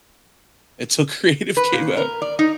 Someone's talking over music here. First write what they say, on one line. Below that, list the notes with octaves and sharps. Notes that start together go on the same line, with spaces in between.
until Creative came out.
B4
A#2
A#4
D5
D#4